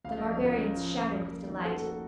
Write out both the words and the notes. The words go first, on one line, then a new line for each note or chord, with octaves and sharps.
The barbarians shouted with delight.
C#2 F5
F3 D#5
C#5
C#2 A#4
C#3
F3
C#3
F1
A#3
D#3
F#4
A#3 A4
A#3 A4